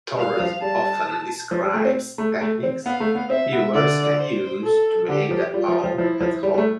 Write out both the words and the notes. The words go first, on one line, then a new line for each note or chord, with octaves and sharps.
Torres often describes techniques viewers can use to make their own at home.
G3 F5
G3
F3
G3 A5
F3
G3
A3
C4
A3
A3
C4
B3 F5
A3
B3
C4 E5
B3
D3 D5
C5
A4
D3 G4
F3
G3 F4
F3
F3
F3 E4
F3
G3
G3
A3